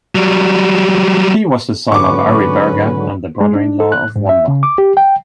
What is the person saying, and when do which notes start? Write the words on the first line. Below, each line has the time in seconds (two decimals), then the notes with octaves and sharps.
He was the son of Ariberga and the brother in law of Wamba.
0.15 F#3 G3
1.92 G#2 D3 F#3 C#4 B4 C#6 D6
3.41 G#3
3.55 D4
3.80 A4
3.92 F#6
4.16 G#2
4.29 E5
4.48 C#3
4.63 D6
4.78 G4
4.97 G5